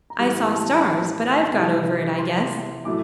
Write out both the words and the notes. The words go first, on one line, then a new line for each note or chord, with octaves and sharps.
I saw stars, but I've got over it, I guess.
A#5
A2 E3 G3 B5
A5
C3 E3 G3
C6
A2 F#3 A3 D6